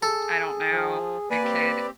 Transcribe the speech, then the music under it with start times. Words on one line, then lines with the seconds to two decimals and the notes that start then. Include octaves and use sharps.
I don't know. It could
0.03 G#4 A4
0.71 F3
1.30 A#3 B4 D5 G#5
1.44 C4 G4